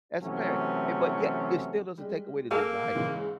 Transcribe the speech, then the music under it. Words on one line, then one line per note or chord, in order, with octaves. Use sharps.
as a parent, eh, but yet it still doesn't take away the desire,
C3 E3 F#3 A3 C#4
G3 G#3
A#3 G#4 A4 F5 E6
G#2 C#3 E3